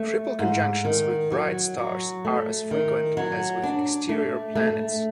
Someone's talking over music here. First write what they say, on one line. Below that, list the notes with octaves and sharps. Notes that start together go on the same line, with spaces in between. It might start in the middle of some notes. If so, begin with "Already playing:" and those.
Triple conjunctions with bright stars are as frequent as with exterior planets.
Already playing: A3
G#2
D#3
F#3
F#3
A3
D#3
F#3
D4
A3
A3